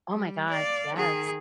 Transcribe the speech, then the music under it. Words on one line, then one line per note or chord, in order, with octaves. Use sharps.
Oh my gosh, yes.
G3
D5 F5
D#3 G#4